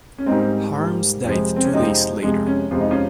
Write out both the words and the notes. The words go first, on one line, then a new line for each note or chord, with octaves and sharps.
Harms died two days later.
C#4
G#2 G3 A#3 C4 D#4
G#2 G3 A#3
F2 C3 F3 G#3
C4
C#4
F2 C3 F3 G#3 C4 D#4
F2 C3 F3 G#3
C#4
F2 C3 F3 G#3 F4
D#4
C#4 F4